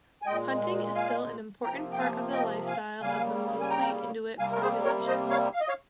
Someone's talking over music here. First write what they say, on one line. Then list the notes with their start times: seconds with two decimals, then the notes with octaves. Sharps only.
Hunting is still an important part of the lifestyle of the mostly Inuit population.
0.22 G#5
0.26 A#2 G#3 D#5 G5
0.95 F5 G#5
1.63 C3 F3 A#3 G5 A#5
1.92 G5
1.98 F5 G#5
2.32 D#5 G5
2.67 F5 G#5
3.01 C#3 G3 A#3 F5 G#5
3.60 G#5
3.70 G5 A#5
4.39 C3 G3 A#3 F5 G#5
4.51 A#4
4.61 G#4 C5
4.84 A#4 C#5
5.07 C5 D#5
5.30 C#5 F5
5.53 F5
5.61 D#5
5.68 C#5 F5